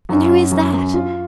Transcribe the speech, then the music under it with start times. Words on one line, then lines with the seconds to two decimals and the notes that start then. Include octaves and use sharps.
And who is that?
0.09 F#2
0.30 F#3
0.52 F#2
0.73 F#2
0.94 F4